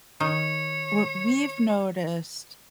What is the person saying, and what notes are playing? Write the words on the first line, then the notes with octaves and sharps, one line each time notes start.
what we've noticed
D#3 C#5